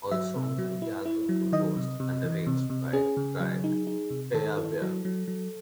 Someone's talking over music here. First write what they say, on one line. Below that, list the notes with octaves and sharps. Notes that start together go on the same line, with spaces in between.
All songs in the album composed and arranged by Ryan Cayabyab.
F#3 E5
C3
F#3
E4
E4
F#3
D#3 D#5
C3
C3
E3
C3
C3
C#4 G#4
C#3
F#3
D#4
D#4
C3
D#3 A4
E4
F#3
F#3
F#3